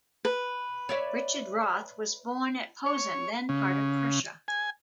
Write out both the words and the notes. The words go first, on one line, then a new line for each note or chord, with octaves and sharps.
Richard Rothe was born at Posen, then part of Prussia.
B4
C#5 D5 E5
C#5
C#3
G#5